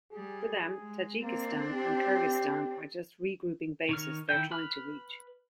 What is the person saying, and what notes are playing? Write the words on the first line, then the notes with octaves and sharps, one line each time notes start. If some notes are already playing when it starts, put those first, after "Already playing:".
For them, Tajikistan and Kyrgyzstan are just regrouping bases they're trying to reach.
G3 G#4
G#3
A#3 C4 D4
G4
D#3 C#5 F6
D#3 E4 G5 G6
B4 B5 F6